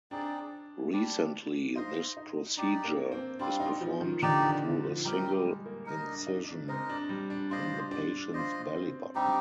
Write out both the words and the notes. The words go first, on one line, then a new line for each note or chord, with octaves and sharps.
Recently, this procedure is performed through a single incision in the patient's belly-button.
C4 D4 D#4 G#4 D5
G3 D4 G4 D5
D#4 F4 C5 D#5
D#4
D4 D#4 G4 D5
A#3
C4
G3 C4 D4 F4
D#4
F3
D#3
D3 D#4 G4 D5
D#3
D3
F3
G3 C4 D#4 G4 A#4
G3
G#3
A#3
D#4 A#4 D#5
D4
D#4
D4
G#3 C4 D#4 A#4 D#5
D4
G3
D4
D4 F4 C5 D#5
D4
D4 F4 C5 D#5
C4
G3 C4 D4 D#4 G4